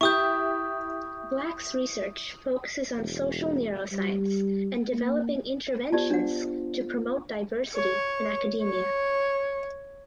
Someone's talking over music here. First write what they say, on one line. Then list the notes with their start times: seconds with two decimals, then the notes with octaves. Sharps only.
Black’s research focuses on social neuroscience and developing interventions to promote diversity in academia.
0.01 E4 G4 C#6 D#6 G6
2.97 E1
3.92 G3
4.93 A#3
5.92 B3 F4 G4 C5 D5 A5
6.10 D4 F#5
7.76 C#5
8.63 C#5